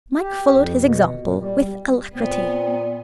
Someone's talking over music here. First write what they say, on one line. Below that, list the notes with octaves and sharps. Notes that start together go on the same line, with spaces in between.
Mike followed his example with alacrity.
G4
F2
B2
A#2
G3
A#2 B3 C4